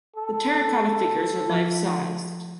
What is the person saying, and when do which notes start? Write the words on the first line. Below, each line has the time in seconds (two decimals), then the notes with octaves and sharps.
The terracotta figures are life-sized.
0.16 A4
1.50 F3 F4